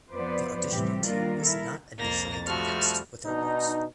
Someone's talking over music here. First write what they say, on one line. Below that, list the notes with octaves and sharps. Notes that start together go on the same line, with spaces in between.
The auditioning team was not initially convinced with her looks.
F2 F3 B3 B4 C5 D5
A2 C3 E3 G3 C4 G4
D#3 G3 A#3 D4 F4 A#4
E4 A4 A#4
C2 F2 A#3 A6 A#6
F3 G3 A3 F#4 F6
B2 D4 D#4